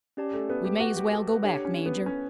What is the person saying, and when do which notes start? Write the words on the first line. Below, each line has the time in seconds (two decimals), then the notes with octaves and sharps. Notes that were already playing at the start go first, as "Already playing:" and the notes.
We may as well go back, major.
0.17 C#4 G4 D5 A5
0.33 A3
0.49 B3
0.65 G4
0.80 F#4
0.96 G4
1.12 A4
1.28 B4
1.43 D4 G4 A4 C#5 F#5
1.65 C#4
1.86 B3
2.06 C#4